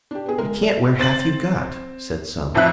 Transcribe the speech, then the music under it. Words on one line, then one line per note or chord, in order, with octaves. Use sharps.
"You can't wear half you've got," said some.
D4 G4
B3 G#4
G#3 A#4
A4 D5
C4 A6 F#7
A1 F2 F3 E5 F#6